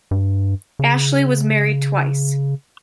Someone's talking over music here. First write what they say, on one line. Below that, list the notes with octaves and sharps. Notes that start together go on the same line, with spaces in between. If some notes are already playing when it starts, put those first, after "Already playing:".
Ashley was married twice.
G2
C#3